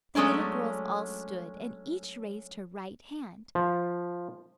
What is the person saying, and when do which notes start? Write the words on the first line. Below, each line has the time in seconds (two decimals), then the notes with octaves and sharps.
The little girls all stood, and each raised her right hand.
0.15 F#3 G#3 A3 C#4 D4
3.55 F3